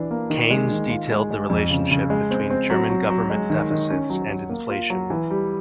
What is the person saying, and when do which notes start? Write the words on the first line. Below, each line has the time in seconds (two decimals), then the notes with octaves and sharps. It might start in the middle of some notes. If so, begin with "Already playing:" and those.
Keynes detailed the relationship between German government deficits and inflation.
Already playing: E3 D4
0.11 A#3
0.30 D#3
0.50 G#3
0.70 D#3
0.90 F4
1.11 G#3
1.30 G#3
1.50 F2
1.70 C#3
1.91 C#3
2.10 G#3
2.31 C4
2.50 C4
2.70 F#3
2.90 F#3
3.10 F#3
3.30 G#3
3.50 D#3
3.70 D#3
3.90 C#4
4.10 F#3
4.29 F#3
4.49 A#3
4.69 F4
4.90 F#3
5.10 E3
5.31 G3